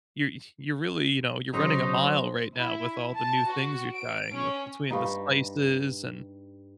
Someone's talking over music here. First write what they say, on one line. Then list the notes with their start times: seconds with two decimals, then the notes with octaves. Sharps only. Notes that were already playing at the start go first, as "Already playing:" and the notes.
"You're you're really, you know, you're running a mile right now with all the new things you're trying with" between the spices, and,
1.54 C#3 F#3 D#4 C5 C6
2.56 E4
3.16 A5
3.49 F#4
3.96 D7
4.35 C#4
4.90 G2 G3 D#4